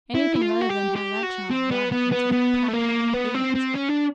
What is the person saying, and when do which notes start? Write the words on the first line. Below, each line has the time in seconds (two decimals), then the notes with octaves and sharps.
Anything rather than have that child brought up in such practical paganism.'
0.15 E4
0.36 E4
0.42 F4
0.61 F#4
0.69 G4
0.96 G4
1.23 F#4
1.51 C4
1.71 B3
1.92 B3
2.12 B3
2.32 B3
2.68 A3
2.74 A#3
3.14 B3
3.34 C4
3.55 C4
3.75 C#4
3.89 D4